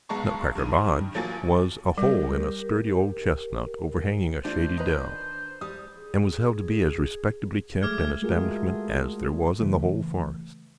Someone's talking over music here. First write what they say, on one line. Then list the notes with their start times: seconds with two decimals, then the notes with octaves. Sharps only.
Nutcracker Lodge was a hole in a sturdy old chestnut overhanging a shady dell, and was held to be as respectably kept an establishment as there was in the whole forest.
0.09 B1 G#3 B3 A5 A#5 C#6
0.55 G2 D#3 D#7
1.14 A1 F3 F#3 A#3 G#5 A6
1.98 G3 G4 A#4
4.45 A3 D4 F4 C5
4.77 D#3 B4 D#5 A#5
5.61 G3 D#6
5.96 G#4
7.82 F#3 G#3 A3 G#4 D6 F6 G#6
8.22 G#3 A3 F4 F#4 G#4 A#4
9.60 C#3 E3 A3